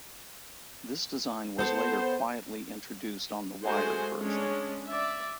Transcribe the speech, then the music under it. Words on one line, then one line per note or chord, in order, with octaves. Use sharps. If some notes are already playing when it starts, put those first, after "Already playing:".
This design was later quietly introduced on the wired version.
B3 A4 C5 A5
G#3 A3 F#4 C5 G#5
G#3 C#4 D4 C#5
D5 E5